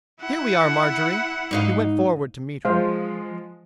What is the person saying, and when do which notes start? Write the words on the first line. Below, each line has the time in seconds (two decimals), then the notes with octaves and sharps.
"Here we are, Marjorie." He went forward to meet her.
0.21 E4 F#5
1.51 G#2 D#4 F5
2.65 F3 G#3 F4 C5 F5